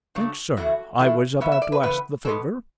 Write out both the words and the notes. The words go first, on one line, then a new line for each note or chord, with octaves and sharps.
"Thanks, sir; I was about to ask the favour."
C#3 F#3 A3 D4
A2 E3 A3 E4 F#4
A2 E3 A3 E4
C#3 E3 B3 E5
E5
D5
B4
C#3 E3 B3 B4
B2 G#3 B3 A4